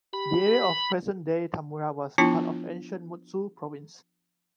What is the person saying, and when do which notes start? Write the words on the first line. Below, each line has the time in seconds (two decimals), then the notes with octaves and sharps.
The area of present-day Tamura was part of ancient Mutsu Province.
0.13 G4 B5
2.18 F3 B3 D4 E4 F4 A5